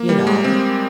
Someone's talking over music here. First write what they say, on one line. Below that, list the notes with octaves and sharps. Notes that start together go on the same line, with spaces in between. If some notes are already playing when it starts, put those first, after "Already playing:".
you know?
Already playing: A#3
G3
G#3
C4